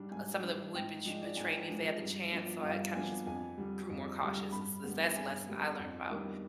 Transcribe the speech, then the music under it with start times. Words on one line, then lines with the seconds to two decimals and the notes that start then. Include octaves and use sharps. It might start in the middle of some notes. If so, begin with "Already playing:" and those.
some of them would bet betray me if they had the chance. So I kinda just g grew more cautious is, is that's the lesson I learned about
Already playing: G#2 G3 D4
0.11 G#2 G#5
0.43 G3 D4
0.74 G#2 G5
1.06 F3 G#3 D4 D#5
1.22 D5
1.37 G#2 G#5
1.69 F3 G#3 D4
2.00 G2
2.32 F3 B3 D4
2.63 G2 F5
2.95 F3 B3 D4 G#5
3.26 F2 G#5
3.58 D3 G3
3.90 F2
4.21 D3 G3
4.52 G2 B5
4.84 D3 G3 B3
5.15 G2 G#5
5.47 D3 G3 B3
5.79 F2
6.10 D#3 G3 B3 D4